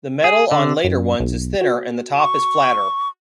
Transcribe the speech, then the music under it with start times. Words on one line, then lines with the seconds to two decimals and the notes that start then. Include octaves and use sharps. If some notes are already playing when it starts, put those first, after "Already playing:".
The metal on later ones is thinner and the top is flatter.
0.24 G#4
0.51 D3
0.84 F#2
1.20 B1
1.61 F#4
2.19 C#6